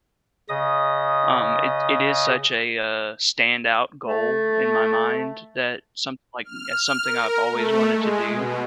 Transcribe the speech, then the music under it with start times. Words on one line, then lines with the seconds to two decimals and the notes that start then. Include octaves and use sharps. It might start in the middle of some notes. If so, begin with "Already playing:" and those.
um, it it is such a, uh, standout goal in my mind that some like, it's something I've always wanted to do.
0.49 C#3 D#5 D#6
4.05 A3
6.44 F6
7.04 A#4
7.50 A3
7.91 G#3
8.28 B2